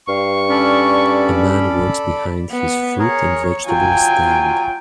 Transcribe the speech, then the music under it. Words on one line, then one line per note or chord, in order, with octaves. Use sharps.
A man works behind his fruit and vegetable stand.
G2 F5 C#6
C#4 A4 D5 B5
B3
G#4 A#4 C#5
F#3 F4 G5 G#5